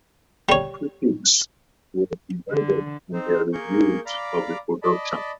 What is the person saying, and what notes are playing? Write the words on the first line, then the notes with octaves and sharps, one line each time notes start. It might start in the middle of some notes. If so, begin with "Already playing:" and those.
Critics were divided in their reviews of the production.
G3 C#5
D3
C4 D#4 C5
A#3 G#4 A#4 C#6 G6
D5 F5 A#5 B5 D6
D5 D#5 A5 B5